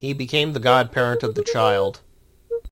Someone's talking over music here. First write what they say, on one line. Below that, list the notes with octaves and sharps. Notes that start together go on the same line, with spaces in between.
He became the god-parent of the child.
B4
B4
A#4
A4
G#4
A#4
B4
A#4